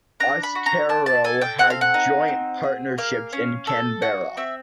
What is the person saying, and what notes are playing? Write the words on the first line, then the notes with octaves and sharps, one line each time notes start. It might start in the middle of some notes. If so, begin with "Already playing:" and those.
Austereo had joint partnerships in Canberra.
D4 A#5
B5
F#4
A#5
D4 A5
A5
A4 G#5
G5
C4 F#5
F5
F#5
D#4
C4
G#4
A#3 F5
C#4
A4
F#4
C4 E5